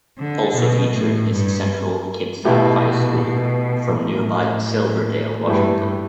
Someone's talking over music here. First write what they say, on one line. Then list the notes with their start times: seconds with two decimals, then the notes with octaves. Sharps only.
Also featured is Central Kitsap High School, from nearby Silverdale, Washington.
0.18 D3
0.56 B2
0.94 A2
1.32 G2
2.45 B2 A3 E4 G4 B4
3.21 B2
3.96 A2
5.47 G2 A3 E4 G4 B4